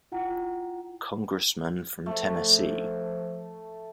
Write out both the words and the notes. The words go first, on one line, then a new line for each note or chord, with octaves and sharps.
Congressman from Tennessee.
E4 F4 F#5 G5 A#5
F3 A3